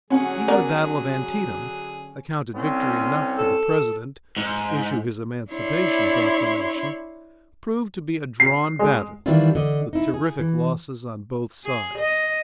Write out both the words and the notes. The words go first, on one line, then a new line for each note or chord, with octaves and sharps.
Even the battle of Antietam, accounted victory enough for the President to issue his Emancipation Proclamation, proved to be a drawn battle, with terrific losses on both sides.
D3 F#3 C#4 G#4 F#5
B3 A#4 D5
C2 C4 C#4
A4
G#2
D4 E4 C#5 C6
C7
G#3
D#3 E3 G3 D4 E4 F4
D3 D#5
D#4 E4
G#4
E3
G#4
D#5